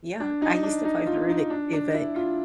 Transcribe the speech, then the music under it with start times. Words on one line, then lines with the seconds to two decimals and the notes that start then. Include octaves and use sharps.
Yeah, I used to play with Rubik too, but
0.20 D4
0.42 D#4
0.63 D4
0.85 D#4
1.07 F4
1.29 D#4
1.50 D4
1.73 D4
1.94 E4
2.16 F4